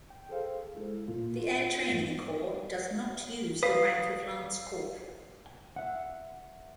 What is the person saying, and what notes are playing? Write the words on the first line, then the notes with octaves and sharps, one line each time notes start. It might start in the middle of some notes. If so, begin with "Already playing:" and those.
The Air Training Corps does not use the rank of lance corporal.
G5
G#4 A4 C5 F5
G#3 E4 A4
A#2 A#3 F4
F4 F#4
G2 A3 B3 C4 F4
B4 F5 D#6
E5 F#5